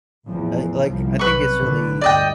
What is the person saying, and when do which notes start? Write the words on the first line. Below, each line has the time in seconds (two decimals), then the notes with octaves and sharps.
I, like I think it's really
0.24 A1 E2 F3
0.86 G1 C2 F3
1.19 B1 C3 B4 C#6
1.59 B1 D3
2.01 G1 D2 D5 D#5 G5